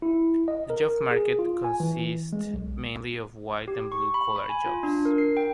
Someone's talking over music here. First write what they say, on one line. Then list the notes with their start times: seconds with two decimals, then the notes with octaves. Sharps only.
The job market here consists mainly of white- and blue-collar jobs.
0.02 E4
0.48 D#5
0.70 A#4
1.11 G#4
1.39 F4
1.64 G#5
1.80 E3
2.33 G#3
2.54 B1
3.68 G4
3.92 C#6
4.14 B5
4.36 B5
4.49 G#5
4.66 F4
4.83 D4
5.05 A#4
5.18 C7
5.37 G5